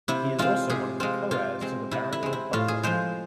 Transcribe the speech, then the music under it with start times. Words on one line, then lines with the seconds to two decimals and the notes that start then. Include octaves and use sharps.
He is also one of the co-heirs to the Barony of Butler.
0.08 C3 E4
0.38 G#3 C4 F4
0.70 C3 G#4
1.00 G#3 C4 F4
1.31 C3 F4
1.61 G#3 C4
1.91 C3 E4
2.12 E4
2.23 G#3 C4
2.33 E4
2.53 A2 F4
2.68 G#4
2.83 F3 G#3 C5